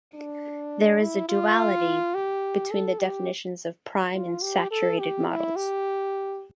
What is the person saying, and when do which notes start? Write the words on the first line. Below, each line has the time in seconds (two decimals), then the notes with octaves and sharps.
There is a duality between the definitions of prime and saturated models.
0.15 D4
1.01 E4
1.29 F4
2.15 G4
2.71 A4
3.00 G4
4.14 F4
4.43 G4
4.71 A4
4.99 G4
5.28 E4
5.56 G4